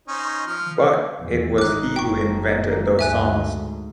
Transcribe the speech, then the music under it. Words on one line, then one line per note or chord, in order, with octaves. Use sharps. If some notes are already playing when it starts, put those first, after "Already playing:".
But It was he who invented those songs.
C#4 D#4 C5
F3 F6
E2
G#1 D#4 D6 F#6
F#1 A#3 G5 C#6
D2 G2 E5 G#5 F#6
G#2